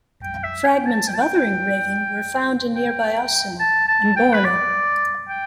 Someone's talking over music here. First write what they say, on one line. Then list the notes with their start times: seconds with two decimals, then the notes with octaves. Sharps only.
Fragments of other engraving were found in nearby Ossimo and Borno.
0.23 G5
0.43 E5
0.66 G5
0.78 G5
0.86 A5
1.08 G5
1.14 A5
1.21 G5
2.76 G5
3.59 A5
3.88 A5
4.16 G5
4.33 B4
4.44 D5
5.29 G5